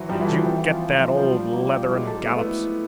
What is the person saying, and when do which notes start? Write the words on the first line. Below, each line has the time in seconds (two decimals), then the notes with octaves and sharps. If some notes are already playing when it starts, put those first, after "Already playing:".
Did you get that, old Leather-and-Gallops?'
Already playing: E3 F#3 F#4 C5
0.09 F3 G3 D#4
0.21 E3 F#3
0.27 A4
0.33 F3
0.45 E3 C4
0.57 E3
0.63 F4
0.68 F3
0.81 C4
0.99 F3 A#4
1.08 F#3
1.17 F3 G3 C5
1.35 D4
1.53 A#3
1.71 G4
1.89 F#3 G#3 E4
2.07 A4
2.25 A3 B3 E4
2.37 A3 B3